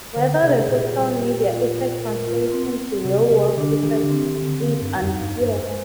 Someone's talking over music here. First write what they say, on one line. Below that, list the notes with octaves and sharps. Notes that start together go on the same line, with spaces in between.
Whether the hostile media effect translates into real-world effects is unclear.
D3 C5
C3 G#4
A#2 G4
G3
G4
F4
F4
A#4
F4
C4
C4
C3 G4
C3 G3
D3 D4
D#3 G4
D3
C4
D#3
C4
D3
D3 F5
G2
D#4
F2
F5
G2
G2 C5
G#3